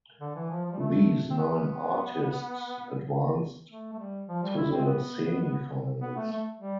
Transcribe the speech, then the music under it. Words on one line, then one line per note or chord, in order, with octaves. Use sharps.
These nine artists advanced to the Semifinals.
D3
E3
F3
F3
G3
A3
C4
B3
A3
A3
G3
F3
G3
E4
C4
B3
B3
A3
A3
G3